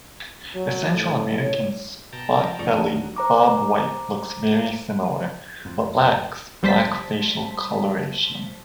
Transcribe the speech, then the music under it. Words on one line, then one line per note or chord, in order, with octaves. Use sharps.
The Central American spot-bellied bobwhite looks very similar, but lacks black facial coloration.
F#3
A2
C#5
B2 G5 A5 A#5
F3
F2 G#2 A#3 D#4 D5 C#6
D#2 D3 F#3 A5 D#7
D#3
C5 A#5 D6
F2
B1 G3 C5 A5 B6